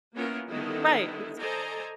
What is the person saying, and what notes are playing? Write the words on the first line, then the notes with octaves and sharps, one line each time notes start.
Right, it's
A#3 B3 C#4 E4 F4 A#4
D3 D#3 G3 B3 D#4 E4
A4 C5 D5 D#5 G#5 A#5